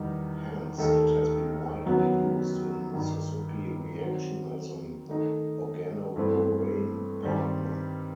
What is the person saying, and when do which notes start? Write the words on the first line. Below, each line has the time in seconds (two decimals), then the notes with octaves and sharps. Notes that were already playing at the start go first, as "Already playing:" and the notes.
Hence, it has been widely used in Suzuki reaction as an organoborane partner.
Already playing: E2 D#3 G3 D#4
0.78 D#2 D#3 A3 D#4 A4
1.86 F#2 D#3 F#3 B3
2.93 G2 D#3 G3 D#4
4.01 D#3 F#3 C4
5.09 D#3 A3 D#4
6.16 G2 E3 A3 C4
7.23 G2 D#3 G3 C4